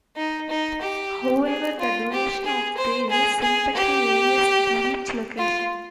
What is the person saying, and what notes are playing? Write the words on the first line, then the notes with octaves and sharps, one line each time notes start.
However, the duration of their sympatry varies with location.
D#4
D#4
G4
G#4
F4
G4
G#4
C5
G#4
G#4
G4
F4